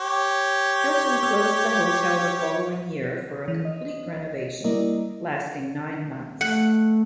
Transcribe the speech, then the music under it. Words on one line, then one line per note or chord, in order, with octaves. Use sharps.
Hilton closed the hotel the following year for a complete renovation, lasting nine months.
G4 C#5
E3
D#5
G3 A#3 E4 A#4 D5 D#5
A3 F#5